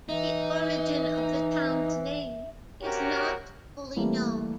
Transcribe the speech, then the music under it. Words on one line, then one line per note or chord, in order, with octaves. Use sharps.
The origin of the town's name is not fully known.
E3 D#4 E5
C3 C#4 F#4 G4 A#4 C#5
E3 G3 A3 A#3